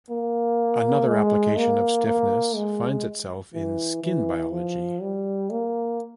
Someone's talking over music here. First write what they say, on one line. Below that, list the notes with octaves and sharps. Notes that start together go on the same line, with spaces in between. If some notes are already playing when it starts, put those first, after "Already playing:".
Another application of stiffness finds itself in skin biology.
A#3
G#3
A#3
A#3
G#3
E3
E3
F3
G3
A#3